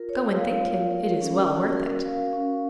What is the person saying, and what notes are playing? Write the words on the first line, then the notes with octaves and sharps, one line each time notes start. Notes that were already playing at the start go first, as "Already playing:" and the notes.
"Go and thank him: it is well worth it."
Already playing: F4 A#4
C#5
F5
F4
A#4
C#4
F#4
A#4
F5
C#4